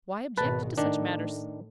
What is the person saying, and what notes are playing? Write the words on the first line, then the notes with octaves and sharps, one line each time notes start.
Why object to such manners?
G#1 B2 B4 A5
A2 D#3 D4